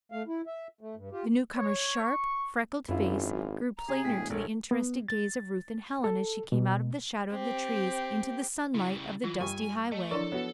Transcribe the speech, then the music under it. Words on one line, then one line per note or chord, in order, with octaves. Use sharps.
The newcomer's sharp, freckled face grew plainer to the interested gaze of Ruth and Helen as she came out of the shadow of the trees into the sunlight of the dusty highway.
A3 F5
E4
E5
A3
G2
F4 G4
C#5
C#6
G#1 F#2 E4 F4
A#5
C3 G#4
A2 G5 B6
E1
A#1 A4 A#4 C#5
B3
A6
A4
B2
C4 G4
C#3 G3 E4
E3 F4
G2 G#5 C#6
A3 D#5
F3 D4 E4 A4 A#4 D5
B3 F#4 C#5